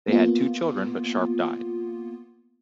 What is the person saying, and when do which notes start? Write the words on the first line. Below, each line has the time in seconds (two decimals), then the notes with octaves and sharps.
They had two children, but Sharp died.
0.08 A#3 B3 F4